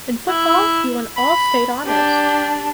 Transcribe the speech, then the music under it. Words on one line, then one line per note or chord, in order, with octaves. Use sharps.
In football, he won All-State honors.
E4
B5
D4 G4